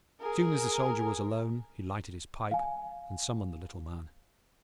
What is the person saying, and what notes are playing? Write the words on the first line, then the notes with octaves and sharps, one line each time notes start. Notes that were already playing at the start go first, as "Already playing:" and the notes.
As soon as the Soldier was alone, he lighted his pipe and summoned the Little Man.
G#4 A#4
F5 G#5